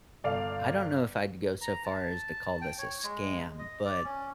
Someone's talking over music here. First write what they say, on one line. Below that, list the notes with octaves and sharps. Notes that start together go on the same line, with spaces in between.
I don't know if I'd go so far as to call this a scam, but
G1 D5 F5 F7
A#5
A5
G5
C#5
G#3
D#5
D5
C#4